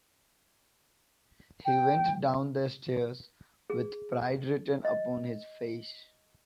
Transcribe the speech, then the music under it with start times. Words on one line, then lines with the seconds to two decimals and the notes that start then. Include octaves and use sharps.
He went down the stairs with pride written upon his face.
1.65 G5
3.70 G#4
4.85 D#5